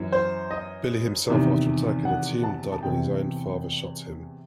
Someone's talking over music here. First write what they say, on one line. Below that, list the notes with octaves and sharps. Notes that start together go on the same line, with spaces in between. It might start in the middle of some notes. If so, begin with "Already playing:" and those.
Billy himself, after attacking the team, died when his own father shot him.
Already playing: F#2 E3
C5
D#5
E2 C3 D#3
F#5
A5
A5
E2 C3 E3 G5